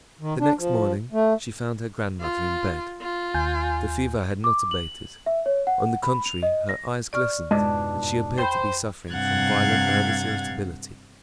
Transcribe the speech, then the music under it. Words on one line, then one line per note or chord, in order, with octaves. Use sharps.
The next morning she found her grandmother in bed; the fever had not abated, on the contrary her eyes glistened and she appeared to be suffering from violent nervous irritability.
D#3
D4
F3
A3
F4
F4
D#2 G#5 G6
D6
F#7
E5
C#5
F#5
B5
F7
D#5
A#6
D5 C#6 F6
F2 G#2 B2 G#3 D4
C5 G5 B5
G2 C3 F5 F#5 G#6 A6